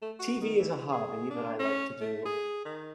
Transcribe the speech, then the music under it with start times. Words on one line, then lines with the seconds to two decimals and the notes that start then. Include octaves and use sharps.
TV is a hobby that I like to do.
0.02 A3
0.19 F#4
0.41 D#3
0.59 E3
0.92 G#4
1.30 D4
1.59 C#4
2.00 A3
2.25 G#4
2.65 D#3